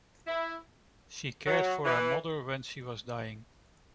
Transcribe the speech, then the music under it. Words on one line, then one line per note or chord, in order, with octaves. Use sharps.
She cared for her mother when she was dying.
E4
F#3
E3